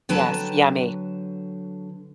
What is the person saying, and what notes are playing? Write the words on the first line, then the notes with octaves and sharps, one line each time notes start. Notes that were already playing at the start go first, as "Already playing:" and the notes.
Yes, yummy.
D3 F#3 B4 G5 A5